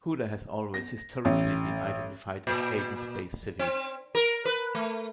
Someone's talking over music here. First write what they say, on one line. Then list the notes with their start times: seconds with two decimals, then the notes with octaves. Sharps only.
Houta has always historically been identified as Aden's base city.
0.74 A#6
1.25 A1
2.47 A#2
3.59 C4
4.15 A#4
4.45 B4
4.75 A3